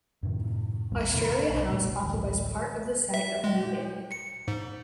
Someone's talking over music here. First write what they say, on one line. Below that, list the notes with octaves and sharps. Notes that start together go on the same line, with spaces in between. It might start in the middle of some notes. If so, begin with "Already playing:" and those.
Australia House occupies part of the site of New Inn.
F#2 A2 C3 D#3
A#1 E2 G3 B3
G#1 C3 D#3
B1
F1 A#2 G3 A3
A1 D2
E5
G#3
C#7
G#2